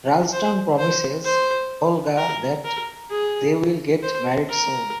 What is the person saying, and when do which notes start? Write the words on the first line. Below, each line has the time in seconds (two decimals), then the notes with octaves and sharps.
Ralston promises Olga that they will get married soon.
0.32 C5
0.79 C5
1.25 C5
2.17 A#4
2.64 A#4
3.10 G#4
4.03 C5
4.50 A#4